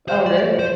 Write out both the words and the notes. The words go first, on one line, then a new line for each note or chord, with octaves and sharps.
Oh, really?
C5
D5
C5